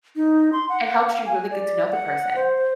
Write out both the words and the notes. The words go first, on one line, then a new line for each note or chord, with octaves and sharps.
it helps you really get to know the person.
D#4
C6
F#5
F5
G#5
D5
F#5
C5